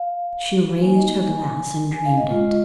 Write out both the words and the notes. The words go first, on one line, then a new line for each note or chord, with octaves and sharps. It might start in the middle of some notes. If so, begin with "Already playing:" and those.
She raised her glass and drained it.
Already playing: F5
A#3 D#4 G#5
D#5
G#5
G#5
F5
D#5
G#3 F4